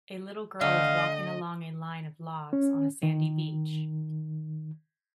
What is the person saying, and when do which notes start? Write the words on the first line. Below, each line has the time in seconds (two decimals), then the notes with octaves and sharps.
A little girl is walking along a line of logs on a sandy beach.
0.61 D3 A3 D#5 F5 G5
2.53 C#4
3.03 D#3